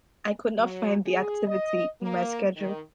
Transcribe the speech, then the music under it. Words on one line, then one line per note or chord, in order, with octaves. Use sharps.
I could not find the activity in my Schedule.
F#3
G#4
D#5
A#3
D#3